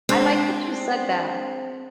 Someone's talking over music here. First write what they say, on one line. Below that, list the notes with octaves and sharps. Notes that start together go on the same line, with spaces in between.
I like that you said that.
G#3 C4 D4